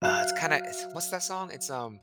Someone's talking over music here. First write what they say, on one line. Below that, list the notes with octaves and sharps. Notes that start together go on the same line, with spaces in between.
Uh, it's kinda it's what's that song? It's, um,
F#3 E5 F5 F#6